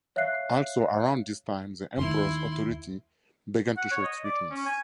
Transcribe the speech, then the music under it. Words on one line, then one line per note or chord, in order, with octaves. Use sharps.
Also around this time, the Emperor's authority began to show its weakness.
C#5 E5 F5 F#6 C7
D#2 A3 E4 C6
F#5
C#5
D#5
D5
C#4
G#5